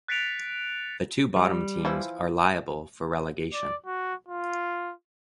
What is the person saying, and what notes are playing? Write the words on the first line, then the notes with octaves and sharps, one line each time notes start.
The two bottom teams are liable for relegation.
F#6 A6 B6 C#7 D7 F7
G3
E3 F3 E4
D5
F#4
F4